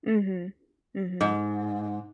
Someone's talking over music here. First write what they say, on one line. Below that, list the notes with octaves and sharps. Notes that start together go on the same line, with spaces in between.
Mhm, mhm.
G#2